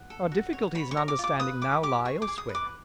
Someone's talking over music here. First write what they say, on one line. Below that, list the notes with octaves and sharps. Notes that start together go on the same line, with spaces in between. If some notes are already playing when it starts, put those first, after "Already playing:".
Our difficulties in understanding now lie elsewhere.
Already playing: F#5
A4
F#4
C#5
C#5 B5
C#6
A#4
D6
F4 D6
B4 D#6
G4 D6
G4 D6
G#4 C#6
D6
G#4
D#6
B4
D6